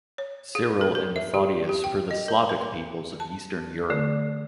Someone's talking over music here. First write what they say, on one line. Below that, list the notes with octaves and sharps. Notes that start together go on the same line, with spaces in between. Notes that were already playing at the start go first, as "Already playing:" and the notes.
Cyril and Methodius for the Slavic peoples of Eastern Europe.
C#5
G#4
A4
A#4
E5
G4
G4
G5
D#5
A#4
B4
A5
D3 A3